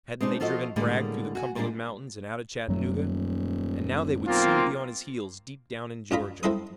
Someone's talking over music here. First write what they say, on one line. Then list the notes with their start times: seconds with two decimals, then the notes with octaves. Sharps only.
Hadn't they driven Bragg through the Cumberland Mountains and out of Chattanooga, and now they would soon be on his heels deep down in Georgia.
0.21 G#3 C4 D4 D#4
0.40 F3 F4 F#4 A4 D5 D#5
0.76 A2 D3 G3 G#3 A#3 G#4
1.35 F#4 G#5
1.55 A#2 G3 G#3 A#3 D4
2.68 D#1 F#2 F#3 A3
4.27 B1 A#3 C4 F4
6.11 F#2 D4 F4 D#5 B5
6.43 C4 E4 A4 D#5 C6 D#6